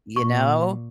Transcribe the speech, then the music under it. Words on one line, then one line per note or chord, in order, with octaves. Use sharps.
You know?
A#2 C#6